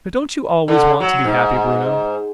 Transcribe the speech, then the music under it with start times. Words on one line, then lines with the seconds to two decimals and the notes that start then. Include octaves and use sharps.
"But don't you always want to be happy, Bruno?"
0.68 D3
1.00 F#3
1.24 G#2